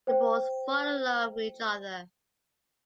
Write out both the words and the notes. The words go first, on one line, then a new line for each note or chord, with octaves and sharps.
They both fall in love with each other.
C5 G5